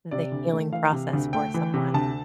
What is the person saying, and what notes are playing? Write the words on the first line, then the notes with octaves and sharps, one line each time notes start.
the healing process for someone.
C3 D5
D2
A3
E3 F5
C3
D2
A3 G5
E3
C3
D2 A5